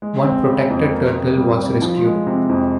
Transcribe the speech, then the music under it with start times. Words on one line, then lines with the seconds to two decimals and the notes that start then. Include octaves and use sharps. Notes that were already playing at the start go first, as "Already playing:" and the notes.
One protected turtle was rescued.
0.02 G#3
0.24 C4
0.47 C#3
0.70 F2
0.92 A#3
1.14 C3
1.37 G3
1.59 C3
1.82 F3
2.04 G#3
2.27 C3
2.49 F2